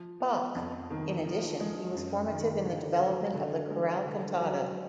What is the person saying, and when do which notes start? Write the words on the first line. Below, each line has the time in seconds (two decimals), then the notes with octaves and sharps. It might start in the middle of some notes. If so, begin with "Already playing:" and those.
Bach; in addition he was formative in the development of the chorale cantata.
Already playing: F3
0.20 B3
0.55 F2
0.90 D#3
1.25 F3
1.60 G#3
1.95 F#2
2.30 D#3
2.65 D3
3.00 F#3
3.34 D3
3.70 G#3
4.05 D3
4.40 F#3